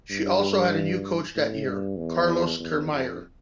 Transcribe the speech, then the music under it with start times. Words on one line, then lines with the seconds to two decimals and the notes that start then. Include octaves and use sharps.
She also had a new coach that year, Carlos Kirmayr.
0.10 G2
1.35 A2
1.66 G2
1.98 E2
2.59 E2
2.91 F2